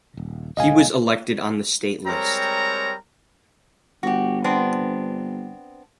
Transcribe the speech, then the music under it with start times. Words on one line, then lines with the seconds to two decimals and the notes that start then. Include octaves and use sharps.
He was elected on the state list.
0.17 D#1
0.57 D#1 C#2 C#3 D#5 F5 G#5
2.06 G3 G#3 C4 A#4 C#5 A#5
4.03 G1 F#4 G4
4.44 B3 C4 D4